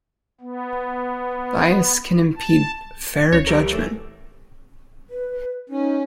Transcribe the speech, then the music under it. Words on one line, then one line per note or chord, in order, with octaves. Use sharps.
Bias can impede fair judgment.
B3
A5
C#2 C#5
G3 G4 A#4
E2 A3
B4
C#4 D#4